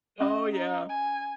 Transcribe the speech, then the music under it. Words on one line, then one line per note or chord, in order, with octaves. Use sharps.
Oh yeah.
C#4 D#5 E5 D#6
D#4
G#5